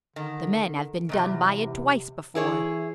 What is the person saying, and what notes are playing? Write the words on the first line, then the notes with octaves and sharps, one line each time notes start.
The men have been done by it twice before.
D3 D#3
E2 G#2 C3
E3 E4 G#4 C#5